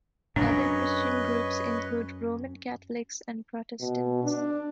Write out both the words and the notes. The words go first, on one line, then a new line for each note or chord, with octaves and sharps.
Other Christian groups include Roman Catholics and Protestants.
F#2 D4 B4 C#5 D#5
B2
D4